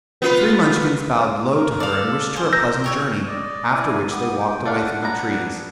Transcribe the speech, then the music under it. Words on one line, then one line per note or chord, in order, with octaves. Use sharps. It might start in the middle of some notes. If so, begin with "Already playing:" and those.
The three Munchkins bowed low to her and wished her a pleasant journey, after which they walked away through the trees.
B3 F4 B4
A#4
A4 D5 F5
G#4 C5
A#4 E6 G6 A#6
E4 G4 C#5 E5
D5 D#5
E4 D5 G#5
B3 G4 D#6
G5
A3 D4 D5 F5 F#5
G3 B3 A#5